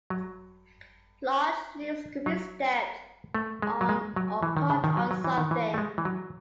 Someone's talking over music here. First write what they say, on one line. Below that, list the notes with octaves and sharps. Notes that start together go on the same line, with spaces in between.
Large loops could be stepped on or caught on something.
F#3
F#3
A3
G#3
F#3
G#3
F#3
E3
D#3
C#3
D#3
F#3
F#3
E3
D#3
E3
A3
G#3
E3
F#3